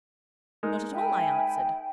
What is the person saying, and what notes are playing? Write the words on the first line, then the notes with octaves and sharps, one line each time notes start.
'Not at all,' I answered.
G#3 D#4 A#4
E5 G5 G#5 B5